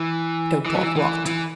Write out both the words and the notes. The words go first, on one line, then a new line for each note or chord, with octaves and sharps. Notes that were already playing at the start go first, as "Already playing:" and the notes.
"Don't talk rot!"
Already playing: E3
E3
F#3
E3
E3
E3